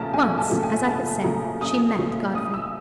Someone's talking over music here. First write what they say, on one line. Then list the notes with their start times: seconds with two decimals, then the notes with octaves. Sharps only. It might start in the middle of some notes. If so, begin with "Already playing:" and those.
Once, as I have said, she met Godfrey.
Already playing: F#1 E2 C#3 F3 A3 A5 A#5
0.13 F#1 G#5
0.38 A5
0.50 E2 C#3 F3 A3
0.63 G#5
0.87 F#1 A5
1.24 E2 C#3 F3 A3 A#5
1.61 F#1 D#6
1.98 E2 C#3 F3 A3
2.35 A1 D#6
2.54 E6